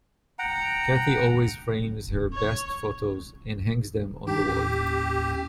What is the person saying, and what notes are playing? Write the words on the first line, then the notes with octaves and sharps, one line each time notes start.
Katie always frames her best photos, and hangs them on the wall.
F#5 G5 A#5
C#5
D#3 D4 D#4 G4
D#2 A2 C#4